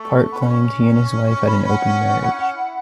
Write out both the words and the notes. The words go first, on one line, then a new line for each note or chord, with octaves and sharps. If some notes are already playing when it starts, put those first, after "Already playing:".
Park claimed he and his wife had an open marriage.
Already playing: A3 C#6
B3
C#4
C#6
C#6
B5
F#5
E4
C#4
E4